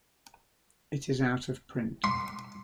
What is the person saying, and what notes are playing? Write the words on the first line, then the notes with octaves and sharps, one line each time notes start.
It is out of print.
C6